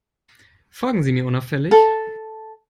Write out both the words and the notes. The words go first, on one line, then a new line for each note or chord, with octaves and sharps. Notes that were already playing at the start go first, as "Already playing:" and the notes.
Folgen Sie mir unauffällig.
A4